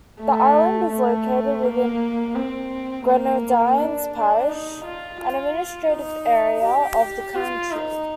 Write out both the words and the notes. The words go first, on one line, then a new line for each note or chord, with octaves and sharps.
The island is located within Grenadines Parish, an administrative area of the country.
A3
A3
A#3
C4
A#3
D4
D4
D#4
F4
F4
D#4
G4
F4
D#4